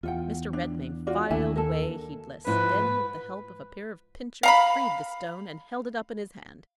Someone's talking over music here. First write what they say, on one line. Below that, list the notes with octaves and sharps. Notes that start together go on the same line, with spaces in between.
Mr. Redmain filed away, heedless; then with the help of a pair of pincers freed the stone, and held it up in his hand.
E2 F4 F#5 G5
D4
F4 F#4 D5
D#2 D4 E4 G#5
A4 A#4
G#2 F3 E4 B4
F5 A#5 B5